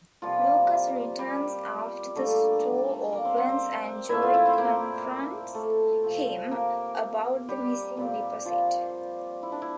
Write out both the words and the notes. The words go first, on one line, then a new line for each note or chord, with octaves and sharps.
Lucas returns after the store opens and Joe confronts him about the missing deposit.
C3 F3 G3 A#3 F4
G3 G4
D3 G3 A3 A#3 D4 A4
A#3 A#4
C4 C5
C4 C5
C4 C5
A#2 A3 C4 E4 E5
F4 F5
E4 E5
C4 C5
A#3 A#4
A3 A4
C3 F3 C4
A#3 A#4
G3 G4
A#2 G3 C4
F3 F4
E4
D4
E4